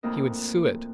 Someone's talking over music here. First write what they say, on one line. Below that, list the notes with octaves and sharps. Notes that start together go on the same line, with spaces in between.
He would sue it.
F2 A2 A#3 D4 D#5